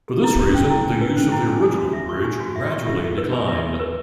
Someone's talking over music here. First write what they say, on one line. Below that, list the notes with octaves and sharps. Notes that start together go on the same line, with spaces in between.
For this reason, the use of the original bridge gradually declined.
G#4
E4
B4
C#4
E4
G#5
B4
C#4
E4
G#5
G#5
F#4
E5
C#6
G#5
F#4
E5
C#6
E5
G#4
B4
G#5
E5
G#4
B4